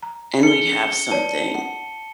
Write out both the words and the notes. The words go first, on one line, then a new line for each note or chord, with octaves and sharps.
and we'd have something,
A#5
C4 C#4 G#4 C#7 G7
B4 C#5 D5 A5
F#5